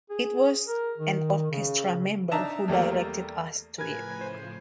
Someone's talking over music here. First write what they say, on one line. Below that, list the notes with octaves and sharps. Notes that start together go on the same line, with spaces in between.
It was an orchestra member who directed us to it.
G#4
A#4
D#3
C#3
D4 D#4 E5 A5 A#5
E2 G3 A3 A#3
A2 C#3 F3 A#4 B4 G#5 G#6
C5